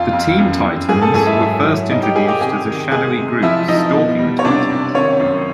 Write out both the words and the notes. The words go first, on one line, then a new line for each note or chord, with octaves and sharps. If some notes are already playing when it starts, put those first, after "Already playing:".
The Team Titans were first introduced as a shadowy group stalking the Titans.
Already playing: F2 F4 F5
F2
F#2
F#2
G#2 G#4 G#5
A4 A5
G#2 G#4 G#5
E4 E5
F#3
F#3
G3 D#4 D#5
G4 G5
G3 G#4 G#5
G4 G5
C3 G#4 G#5
D#3
G#3 G#4 G#5
C3
F3 E4 E5
F3 D#4 D#5
B2
G3
C#5
C3 D4 D5
C3
D#3 C#4 C#5
F#2